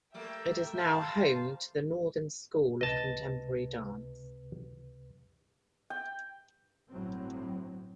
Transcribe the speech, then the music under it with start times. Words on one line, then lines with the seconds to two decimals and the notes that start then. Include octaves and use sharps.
It is now home to the Northern School of Contemporary Dance.
0.14 G3 A3 A#3 E5 G5
0.77 C5 F5 A5
2.81 C#2 C3 B4 D#5 A5
5.90 G5
6.90 G1 A2 F#3 C4